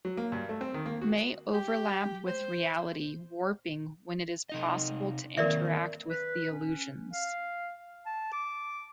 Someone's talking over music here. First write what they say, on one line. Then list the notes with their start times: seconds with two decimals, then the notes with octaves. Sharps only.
May overlap with reality warping when it is possible to interact with the illusions.
0.05 F#3
0.17 A#3
0.32 G2
0.49 A3
0.61 C4
0.74 D#3
0.86 A#3
1.02 F#4
1.54 G4
2.27 C5
4.49 C3 D#4 D#5
5.37 D#3 A#3 C4 A#4 D5 E5
6.10 B4
6.51 C#4
7.13 F5
8.06 A5
8.33 D6